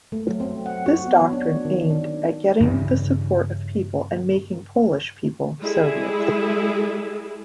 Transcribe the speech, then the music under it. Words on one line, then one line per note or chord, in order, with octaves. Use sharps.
This doctrine aimed at getting the support of people and making Polish people "Soviets".
A3
F#3
C4
F#5
F#4
B3
C#5
D4
D#3
D4
G2 C#3 E3
G3 G#3 E4 G#4 A4